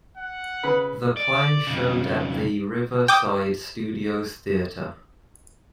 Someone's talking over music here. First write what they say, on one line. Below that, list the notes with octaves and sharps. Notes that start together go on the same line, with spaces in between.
The play showed at the Riverside Studios theatre.
F#5
C#3 B4 B5
D5
F2 C#3
G5 D6 D#6